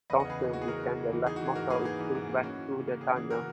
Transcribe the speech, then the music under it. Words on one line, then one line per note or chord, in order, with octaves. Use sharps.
Thomson became the last motorist to drive through the tunnel.
E2 B4 D#5
D#5 F#5
C#3 G#4 B4
E2
E3 F#4
G#4
E2 F#4 A#4
C#3
E2
E3
D#4 G#4
F#4
E3 G#4
G#2 F#4 A#4
A#3 G#4 B4
D#4 G#4
E3
G#2
A#3
C#4 F#4
E3
C#3
A#3
C#4 G#4
E3 G#4
C#3 F#4 A#4